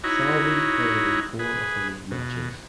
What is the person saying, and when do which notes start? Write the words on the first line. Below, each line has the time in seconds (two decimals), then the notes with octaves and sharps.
Salvi played in four of the league matches.
0.04 D#4 E4 F#4 C#5
1.39 G#4 B4
2.11 B2